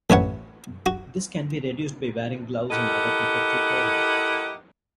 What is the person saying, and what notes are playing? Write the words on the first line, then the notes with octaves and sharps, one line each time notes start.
This can be reduced by wearing gloves and other protective clothing.
A1 B4 C#5 F#5
F#4
E4 G4 A4 A#4 D#5 F#5